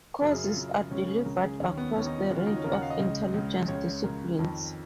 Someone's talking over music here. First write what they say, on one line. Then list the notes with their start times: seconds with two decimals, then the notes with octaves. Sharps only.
Courses are delivered across the range of Intelligence disciplines.
0.21 F#2 C#3 A#4
0.32 G#4
0.44 F4
0.57 F#2 C#3
0.91 C#2 C#3 C#4
1.08 G#4
1.25 C#2 C#3 A#4
1.43 G#4
1.60 D#2 D#3 C#4
1.77 B3
1.95 D#2 D#3 C#4
2.06 D#4
2.19 F4
2.30 D#2 C#3 F#4
2.38 F4
2.47 D#4
2.56 C#4
2.64 D#2 C#3 A#4
2.73 F#5
2.82 F5
2.90 D#5
2.99 C#2 C#3
3.34 C#2 C#3
3.68 C#2 C#3 C#5
4.03 C#2 C#3 A#4
4.39 F2 D#3